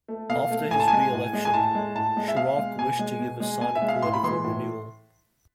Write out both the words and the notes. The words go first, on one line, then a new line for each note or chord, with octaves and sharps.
After his re-election, Chirac wished to give a sign of political renewal.
A3
B2 F5
A3
A2 G#5
A5
G#3 G#5
A2
G#3
G#5
A2 A5
G#3
A2 A5
G#3
E5
B2 F5
G#3
B2 G#5
G#3
B2
G#3
B2 G#5
E5
G#3
F5
A2 C6
B5
E3 G#3 C6
A2